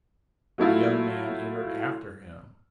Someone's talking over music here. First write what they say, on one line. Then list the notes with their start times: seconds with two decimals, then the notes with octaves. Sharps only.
The young man entered after him.
0.58 F#3 A3 E4 F4